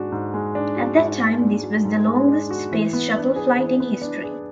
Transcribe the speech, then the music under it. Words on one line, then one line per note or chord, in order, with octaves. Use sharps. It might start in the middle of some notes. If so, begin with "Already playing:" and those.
At that time this was the longest Space Shuttle flight in history.
Already playing: G#2 G#3 D4 F#4
G#2
G#3
D4
F#4
G#2
G#3
D4
F#4
G#2
G#3
D4
F#4
E3
B3
D4
G#4
E3
B3
D4
G#4